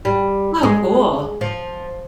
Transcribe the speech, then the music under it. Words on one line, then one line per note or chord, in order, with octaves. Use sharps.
Oh, cool.
G3
G#3
F3